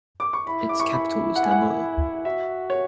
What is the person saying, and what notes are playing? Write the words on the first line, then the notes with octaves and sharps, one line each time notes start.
Its capital was Namur.
D6
C#6
E4 B5
D6
C#6
B5
F#5
G#5
F#5
F#4 E5
C#5